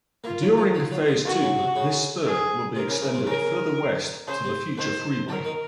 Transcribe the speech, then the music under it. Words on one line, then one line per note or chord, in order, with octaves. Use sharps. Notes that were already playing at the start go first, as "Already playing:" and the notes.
During Phase Two, this spur will be extended further west to the future freeway.
A#3 F4
F#3
F3
F#3
F#3
F3
D#3 F#4
C#3
C3
C#3
G#4
C3 A#4
C#3
C#3
C3
C#3 A#4
C#3 C5
C3
D#3 C5
F#3 A#4
D#3